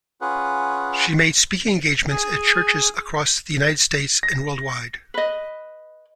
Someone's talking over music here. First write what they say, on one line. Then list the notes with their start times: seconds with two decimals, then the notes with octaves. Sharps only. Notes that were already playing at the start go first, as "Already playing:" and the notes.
She made speaking engagements at churches across the United States and worldwide.
0.21 C#4 F4 G#4 B4 F#5
2.11 G#4 G#5
4.23 A#6
5.14 B4 D#5